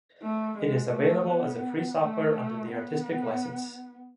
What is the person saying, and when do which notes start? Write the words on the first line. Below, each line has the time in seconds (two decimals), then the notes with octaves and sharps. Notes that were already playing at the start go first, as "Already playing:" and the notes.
It is available as a free software under the Artistic License.
0.23 A3
0.58 G#3
0.93 A3
1.27 B3
1.99 A3
2.69 B3